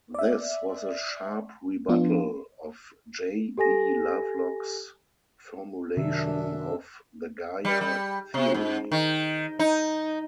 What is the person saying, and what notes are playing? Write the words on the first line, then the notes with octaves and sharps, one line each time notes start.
This was a sharp rebuttal of J. E. Lovelock's formulation of the Gaia Theory.
D5 E5
F3 B3 D4 F4
G4 A4 G#5 A#6
F#2 C3 D#3 D4 E5
G3
G3
C3
G#2
D#3
D#4